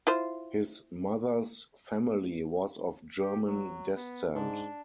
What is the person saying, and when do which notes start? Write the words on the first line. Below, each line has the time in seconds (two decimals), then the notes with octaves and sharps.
His mother's family was of German descent.
0.07 E4 F4 C5
3.20 G4
3.45 F#3
3.96 B3
4.35 G#2 D4